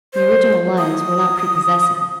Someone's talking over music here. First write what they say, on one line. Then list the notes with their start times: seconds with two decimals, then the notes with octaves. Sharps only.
The original lines were not prepossessing.
0.13 C5
0.78 D#6